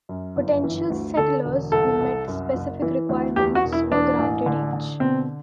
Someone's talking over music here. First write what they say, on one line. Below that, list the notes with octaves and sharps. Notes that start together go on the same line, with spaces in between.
Potential settlers who met specific requirements were granted each.
F#2
G1
E3
D2
D3 A4
E1
C2 A4
C2
F#2
F#1
E3
D2
E2 G4
F#4
E1
E4
E3 D4
A1
D3
D3
B2 C4